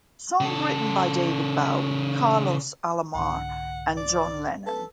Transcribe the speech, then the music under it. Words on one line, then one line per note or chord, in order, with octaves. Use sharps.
Song written by David Bowie, Carlos Alomar, and John Lennon.
C#3 A4
C2 G#2 D3 F#5
D5
A4 B4